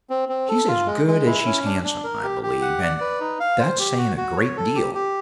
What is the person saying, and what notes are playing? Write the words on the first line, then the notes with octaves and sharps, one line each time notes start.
She's as good as she's handsome, I believe, and that's saying a great deal.'
C4
C4
A4
F4
G#3
G#3
E4
C#4
D4
D4
A#4
G4
G4
F#5
D5
B4
D#4
F5
C5
G4
F#4
F#4
C#5
A4
G4
G4